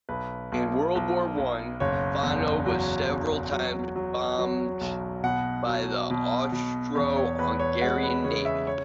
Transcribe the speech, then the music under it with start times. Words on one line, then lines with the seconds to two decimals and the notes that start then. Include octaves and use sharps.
In World War One Fano was several times bombed by the Austro-Hungarian Navy.
0.09 B1 B4
0.52 B1
0.95 B1
1.38 B1
1.80 F#1 C#5
2.23 E2
2.66 F#3
3.09 E2
3.52 F#3
3.96 F#3
4.38 F#3
4.81 B1
5.24 B2 F#5
5.66 F#3
6.10 B2
6.52 B2
6.95 E2
7.16 C#5
7.39 E2 B4
7.59 C#5
7.81 G#3 F#5
8.03 B4
8.24 C#3 C#5
8.45 E5
8.67 C#5